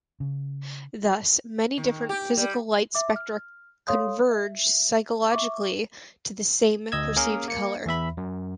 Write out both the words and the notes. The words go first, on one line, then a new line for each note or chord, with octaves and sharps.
Thus, many different physical light spectra converge psychologically to the same perceived color.
C#3
D#3
G4
G3
E5 D6
F6
A4 C#5 F5 C6 D#6
E5
E5 C#6 D6
D2 D#5 E6 G#6
A#3 C#4 G#4 A#4
A#3 C#7
E2 E3 E5 B5
F#2